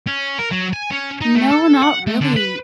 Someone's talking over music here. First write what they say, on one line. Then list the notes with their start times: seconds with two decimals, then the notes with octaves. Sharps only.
No, not really.
0.07 C#4
0.39 A#4
0.51 F#3
0.73 G#5
0.91 C#4
1.21 D#4
1.36 A3
1.51 A4
1.82 F#5
2.07 A3
2.21 D3
2.36 B4